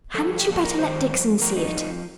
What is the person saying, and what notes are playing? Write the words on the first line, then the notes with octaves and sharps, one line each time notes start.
'Hadn't you better let Dixon see it?
G2 F3 A4
G4
A#2 F3
A4
A#4
G2 D#3 G3 C5
G2 F3
A2 F3 A#4
D#4
F2 D3 F3